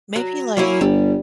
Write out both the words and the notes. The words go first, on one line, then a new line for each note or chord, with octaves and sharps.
Maybe, like
F#3
F#3 A#3 C#4 E4
G1 G3